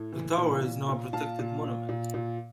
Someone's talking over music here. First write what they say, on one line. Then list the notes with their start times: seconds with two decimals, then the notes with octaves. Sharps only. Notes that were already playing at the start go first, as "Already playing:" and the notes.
The tower is now a protected monument.
Already playing: A2
0.13 E3
0.38 A#2
0.63 A#2
0.88 A#2
1.13 A#2 F5 A5
1.39 A#2
1.64 A#2
1.89 A#2
2.14 A#2